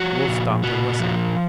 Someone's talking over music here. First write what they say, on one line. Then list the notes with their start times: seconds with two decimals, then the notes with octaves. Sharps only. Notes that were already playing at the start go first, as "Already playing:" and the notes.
The Wolf stopped and listened.
Already playing: F3 F#4
0.28 A#2
0.63 A#2 F#4
0.99 F3